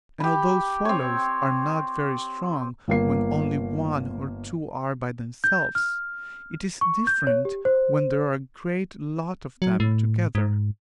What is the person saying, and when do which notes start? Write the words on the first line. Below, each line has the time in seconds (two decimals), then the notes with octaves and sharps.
And although swallows are not very strong when only one or two are by themselves, it is different when there are a great lot of them together.
0.20 G4 B5
0.85 C4 C#5
2.88 G1 A#3 C7
5.44 G6
5.75 F6
6.81 C#6
7.07 G6
7.27 C#5
7.45 G4
7.65 C5
9.62 F#3
9.80 A2
10.35 G#2